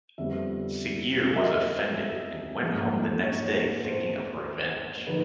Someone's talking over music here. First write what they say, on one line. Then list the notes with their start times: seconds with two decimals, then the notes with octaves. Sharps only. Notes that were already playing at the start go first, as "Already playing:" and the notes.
Siggeir was offended and went home the next day thinking of revenge.
0.18 F2 D3 G3 B3 E5
1.36 E5
1.40 D#5
2.62 G#2 F3 A#3 D4
3.24 C#5
3.85 C5
5.07 D3 F3 A#3 D#4 B4